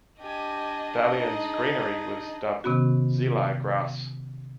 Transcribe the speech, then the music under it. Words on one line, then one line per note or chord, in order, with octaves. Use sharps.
Dalian's greenery was dubbed "Xilai Grass".
D4 G4 D#5 G#5
D#4 G#4
C3 D#3 B3 C#4 F#4